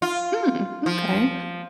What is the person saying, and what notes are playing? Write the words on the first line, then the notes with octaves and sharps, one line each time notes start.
Hmm, m'kay.
F4
F3